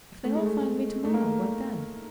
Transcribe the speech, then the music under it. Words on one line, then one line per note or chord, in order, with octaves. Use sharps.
If they all find me to-morrow, what then?
A3
G#3
A3
A3
A#3